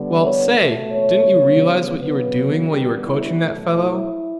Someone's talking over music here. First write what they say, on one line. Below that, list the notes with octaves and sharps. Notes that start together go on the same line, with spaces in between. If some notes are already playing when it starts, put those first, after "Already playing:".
Well, say, didn't you realize what you were doing while you were coaching that fellow?
Already playing: D3 G3 B3
C#5
B2 A3
C#5
C#3 G3 B3
C#3 F#3 B3 B4
D3 G3 B3 G4
E4
B2 F#3 A3
E4